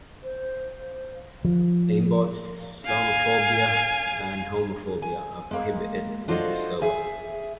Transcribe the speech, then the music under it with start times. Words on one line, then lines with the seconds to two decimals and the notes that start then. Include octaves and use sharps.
Aimbots, Islamophobia and Homophobia are prohibited on this server.
0.24 C5
1.45 F3
2.85 F5 G#5
5.02 G#5
5.51 G#3 A#3
6.28 D4 F4 F#4 A4 C5 D#5
6.81 G#4 E5 G#5